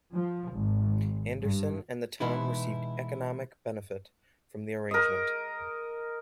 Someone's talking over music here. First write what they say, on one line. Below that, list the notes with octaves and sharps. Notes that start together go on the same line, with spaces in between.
Anderson and the town received economic benefit from the arrangement.
F3
G#1
G2
B2 E3 G#3 B3 D#4 E4
A#4 D#5